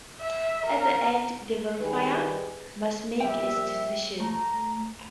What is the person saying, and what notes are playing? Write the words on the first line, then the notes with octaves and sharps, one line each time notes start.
At the end the verifier must make its decision.
E5
A#4
D#3 G3 G#4 B4
A#1 G3 G4 E5 G5
A3 A#5